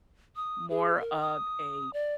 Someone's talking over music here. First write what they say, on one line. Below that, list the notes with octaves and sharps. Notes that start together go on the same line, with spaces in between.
more of a,
D#6
G#4
A#4
D#6
D5